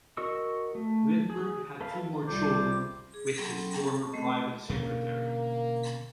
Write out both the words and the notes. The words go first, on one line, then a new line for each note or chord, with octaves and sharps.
Lindbergh had two more children with his former private secretary.
F#4 A#4 D#5 C#6 E6
A3
G#4
A4 B4 E5 F5
C2 C3 G3 F4 C5 D6
G#4
F#3 B3 C#4 A4 G5 C6
A5 C#6
G#3 A3 C4 A4 D#5
B2 D3 A#3 C#4